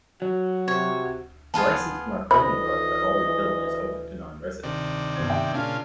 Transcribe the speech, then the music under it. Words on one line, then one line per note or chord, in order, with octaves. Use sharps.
The licensed "Marconi Club" at the holiday village is open to non-residents.
F#3 F#4
C3 C#5
B3 F4 G#4 A5
D2 E3 C5 D#5 B5
C3 D#3 D4
G1 C5 G#6
E5 G5
A#2 C#3 D4 F4